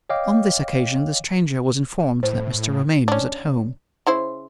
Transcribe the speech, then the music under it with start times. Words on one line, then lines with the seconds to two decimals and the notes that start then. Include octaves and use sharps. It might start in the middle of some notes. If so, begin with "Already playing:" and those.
On this occasion, the stranger was informed that Mr. Romayne was at home.
0.10 C#5 D#5 F5 G5 D6
2.23 A2 C5
3.08 C#4 D4
4.07 C#3 E4 C5